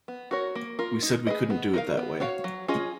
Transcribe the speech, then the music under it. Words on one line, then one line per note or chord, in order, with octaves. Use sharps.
We said we couldn't do it that way.
B3
F#4 A#4 C#5
A#3
F4 A#4
D#4
G#4 B4 D#5
B3
D#4 A#4 F5
B3
F#4 C#5 F5
F#3
C#4 F4 G#4 D#5